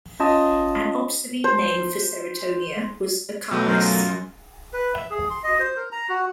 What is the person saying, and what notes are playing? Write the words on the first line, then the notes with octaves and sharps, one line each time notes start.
An obsolete name for "Ceratonia" was "Acalis".
C#4 F4 D#5 A5 D#6
C5
B2 F#3 A3 G5
F#2 A#4 C5
F4 A#4
B4
E5
G#4
C6
D#5
C5
A#4
A#5
F#4